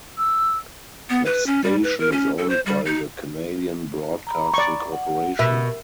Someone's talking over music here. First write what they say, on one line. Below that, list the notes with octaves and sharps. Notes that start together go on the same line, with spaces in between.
The station is owned by the Canadian Broadcasting Corporation.
E6
B3
B4
C#4
G3
B4
A#4
C#4
A4
C5
G3
D#4
A#5 B5
D5 C#6
F#5
B2 A#4 E5